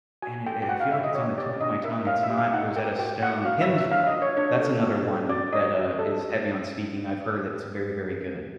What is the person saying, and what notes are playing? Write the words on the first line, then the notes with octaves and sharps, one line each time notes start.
and it I feel like it's on the tip of my tongue, it's not Rosetta Stone Pimsleur, that's another one that, uh, is heavy on speaking, I've heard it's very, very good.
F#4 G#5
A4 G5
G5
F#4 F#5
F5
C#5 E5
D#5
C#5
G4 D5
D4 D#5
A#4 E5
C#5 F5
E5
G4
F5
D#4 F#5
A#4 G5
F#4 G5
A4 F#5
F#4 F5
E5
C#5
E5
D4 F5
D#5
F4
C#5
D4 C#5
A4
F#4
A4
F#4 D5
C#5 D#5
F#4
A4